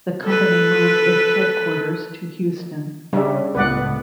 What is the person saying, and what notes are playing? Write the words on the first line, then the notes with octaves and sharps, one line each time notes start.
The company moved its headquarters to Houston.
A4 B4
C#3 G3 D4 E5
C#2 A2 B3 B4 D5 F#5